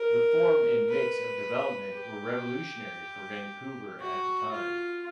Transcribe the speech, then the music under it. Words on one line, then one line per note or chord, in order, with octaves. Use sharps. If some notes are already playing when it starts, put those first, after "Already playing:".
The form and mix of development were revolutionary for Vancouver at the time.
Already playing: A#4
B4
G4
F#4
F4